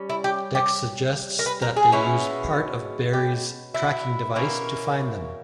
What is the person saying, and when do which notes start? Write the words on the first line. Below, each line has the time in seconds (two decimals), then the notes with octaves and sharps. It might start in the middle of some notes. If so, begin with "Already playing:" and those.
Dex suggests that they use part of Beary's tracking device to find them.
Already playing: G3 C#4
0.10 E4
0.24 G4
0.55 G4
1.39 A#4
1.46 B4
1.62 A#4
1.76 G#4
1.92 B2 G#3 C#4 E4
3.13 G4
3.74 E4
4.35 B2 A#3 C#4 E4